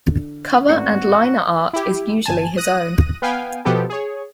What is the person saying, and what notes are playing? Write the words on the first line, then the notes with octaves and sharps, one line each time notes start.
Cover and liner art is usually his own.
D3
G#1 A2 C4 C#4 F#4 B4 D5
E4 G4
G1 G#5 A5
D#6 F#6 A#6 D#7
B3 F5 G5 G#5
B2 F3 B3 G4 A4
G#4 C#5